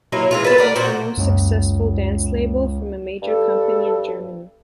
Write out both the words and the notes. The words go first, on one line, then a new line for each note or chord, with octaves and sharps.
It was the most successful dance label from a major company in Germany.
F#3 A#3 E4 F4
E3 G#3 F4
B4 A5
A#4 D5 F#5
A#2 F#4 C5
C#2 F#2 A#3
G2 A4